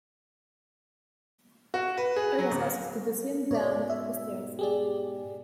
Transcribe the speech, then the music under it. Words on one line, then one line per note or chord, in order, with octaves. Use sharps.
I was asked to descend down the stairs.
F#4
B4
G#4
F#3
D1
G#2 B2 C#5 D5
E5
G4 G#4 D5